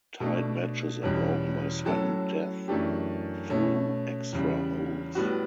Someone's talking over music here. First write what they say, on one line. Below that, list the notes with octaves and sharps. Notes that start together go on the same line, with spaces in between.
Tied matches are broken by sudden death through extra holes.
B2 A3 D4
E2 B2 G3 C#4
A2 F#3 C#4 F#4 A4
F#2 E3 A3 D4 G4
B2 A3 C#4
E2 C#3 G3
A2 G3 B3 F#4